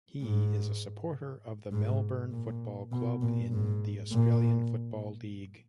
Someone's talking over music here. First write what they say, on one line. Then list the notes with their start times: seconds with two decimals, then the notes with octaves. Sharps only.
He is a supporter of the Melbourne Football Club in the Australian Football League.
0.22 G#2
1.72 G#2
2.32 A#2
2.92 B2
3.22 A#2
3.52 G#2
4.12 A#2